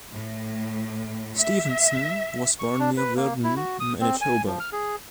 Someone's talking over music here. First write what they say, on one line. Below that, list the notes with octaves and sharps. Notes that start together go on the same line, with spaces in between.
Stevenson was born near Virden, Manitoba.
A2
E5
C#6
D4
B4
A#3
E4
F#4
D#6
C4
G#5
F3
F6
G#4